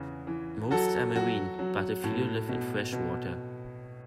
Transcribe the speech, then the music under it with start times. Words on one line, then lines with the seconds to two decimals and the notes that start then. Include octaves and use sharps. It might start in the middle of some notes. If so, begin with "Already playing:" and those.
Most are marine, but a few live in fresh water.
Already playing: E2 C#3 E3
0.27 E3
0.70 F#3 F#4 A4
1.15 F#3 F#4
1.59 F#3
2.04 A2
2.49 B2
2.92 B2